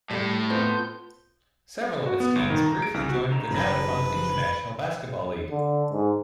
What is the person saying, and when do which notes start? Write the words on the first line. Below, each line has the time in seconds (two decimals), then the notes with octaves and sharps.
Several of its teams briefly joined the now-defunct International Basketball League.
0.11 A2 G3 A3
0.50 B3 C4 F4 A4 C6 G6
2.06 F#4
2.20 B3
2.36 G1
2.50 D#3
2.66 A#5
2.82 D7
2.94 C2
3.09 F#4
3.30 C2 D3 A#5
3.50 F#1 B4 A#6
5.51 D3
5.91 G#2